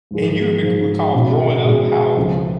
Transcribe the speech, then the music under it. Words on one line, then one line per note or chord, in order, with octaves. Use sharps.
and you re recall growing up how
G#2 F3 G#3
G#2 F3 G#3
B2 G#3 C#4 E4
B2 G#3 C#4 E4
C#2 C#3 F3 A3 C4